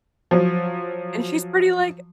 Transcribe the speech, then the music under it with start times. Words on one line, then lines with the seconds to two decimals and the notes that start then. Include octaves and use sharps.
and she's pretty like
0.31 F3 F#3